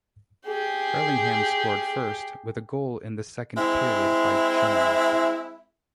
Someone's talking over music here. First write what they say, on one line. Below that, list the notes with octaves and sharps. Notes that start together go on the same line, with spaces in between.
Hurlingham scored first, with a goal in the second period by Jones.
G4 G#4
G#3 C4 E4